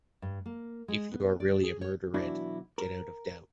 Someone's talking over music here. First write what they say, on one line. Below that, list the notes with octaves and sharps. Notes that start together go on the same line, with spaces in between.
If you are really a murdered, get out of doubt.
G2
A#3
G#3
B3
D5
G#4
C#5
B1 E3 D4 E4 F#4
A#4